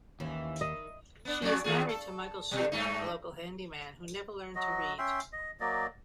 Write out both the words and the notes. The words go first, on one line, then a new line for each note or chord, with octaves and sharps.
She is married to Michael Chute, a local handyman who never learned to read.
D#2 E3 C#4
D#3 D#5
B3 D4
F2 F#3 D5
D#2 F4 G#4
A4
B2 G3
G2 A3 D#4
F#3 F#4 D#5
C#4 E5 G5 C6
D#5
F#3 A#3 D5 D#5